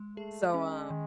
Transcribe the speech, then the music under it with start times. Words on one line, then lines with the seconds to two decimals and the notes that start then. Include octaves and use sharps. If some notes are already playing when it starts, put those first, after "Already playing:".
So, um
Already playing: G#3
0.17 A3 G#4
0.54 G#3 C#4
0.90 D#3